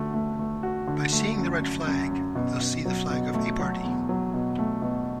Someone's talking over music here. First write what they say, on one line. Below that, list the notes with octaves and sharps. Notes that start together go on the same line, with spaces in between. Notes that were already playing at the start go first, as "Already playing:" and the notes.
By seeing the red flag, they'll see the flag of a party!
Already playing: D3 A3 F#4
A3
A3
F#4
D3
A3
F#2
F#2
F#2
F#2
B2
B2
F#3
B2
A3
F#3
E2
F#3
B2
A3
B2